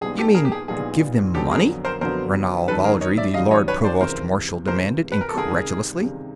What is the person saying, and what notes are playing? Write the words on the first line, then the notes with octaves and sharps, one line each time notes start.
"You mean, give them money?" Ranal Valdry, the Lord Provost-Marshal demanded, incredulously.
A#1 A#2 G3 B3 D#4 G#4
G4 A4
G#4 A#4
G4
G#4
A#1 A#2 G3 B3 D#4 G#4
F2 D3 F#3 B3 G4 A4
G#4 A#4
A#4 C5
F2 D3 F#3 B3 A#4 C5
F#2 D#3 G3 A4 B4
G#4 A#4
C#5 D#5
D5 E5
F#2 D#3 G3 D#5 F5
C#5 D#5
B4 C#5
C5 D5
C#2 C3 E3 A#4 C5
C#2 C3 E3 A#4 C5
B4
A#4
A4
C#2 C3 D#3 G3 G#4 A#4
C#2 C3 D#3 G3